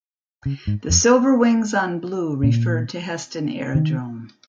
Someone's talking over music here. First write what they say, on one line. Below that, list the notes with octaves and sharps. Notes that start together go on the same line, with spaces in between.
The silver wings on blue referred to Heston Aerodrome.
C#3
G#2
F2
A#2
D#3